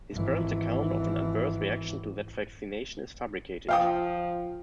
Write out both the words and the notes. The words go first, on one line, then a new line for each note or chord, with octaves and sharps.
His parents' account of an adverse reaction to that vaccination is fabricated.
G#1 E3
F3 F5 G5 D#6